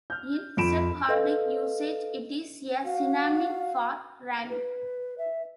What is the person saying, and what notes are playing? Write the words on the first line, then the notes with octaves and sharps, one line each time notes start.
In Sephardic usage it is a synonym for "rabbi".
F6 G6
F2 B5 D7 E7
A4 B4 D#5 F5
F#4 F5
B4
E5